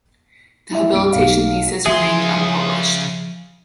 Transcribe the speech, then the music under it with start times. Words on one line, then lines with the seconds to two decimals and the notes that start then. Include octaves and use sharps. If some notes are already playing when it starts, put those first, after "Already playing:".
The habilitation thesis remained unpublished.
0.71 E4 E5
0.93 C2 G2 D7
1.13 B1 F5
1.86 C#3 F3 G#4 E5 C6